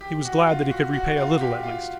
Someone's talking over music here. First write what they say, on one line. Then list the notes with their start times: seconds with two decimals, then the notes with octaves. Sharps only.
He was glad that he could repay a little at least.
0.01 G4
0.25 F#4
0.47 F4
0.71 F#4
0.93 F#4
1.17 F4
1.41 G4
1.63 F4